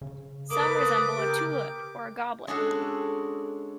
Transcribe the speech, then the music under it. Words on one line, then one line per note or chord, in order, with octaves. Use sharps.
Some resemble a tulip or a goblet.
C#3
A#3 A4 B4 D6 D#6
G4 A#4
G#3 C#4 D4 F#4 G#4 A4